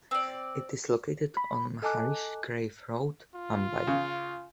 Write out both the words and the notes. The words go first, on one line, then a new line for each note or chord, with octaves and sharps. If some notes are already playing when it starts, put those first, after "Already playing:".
It is located on Maharishi Karve Road, Mumbai.
C4 D5
B5
A4 D#5 G#5 A5 D6 F#6
F4
C#3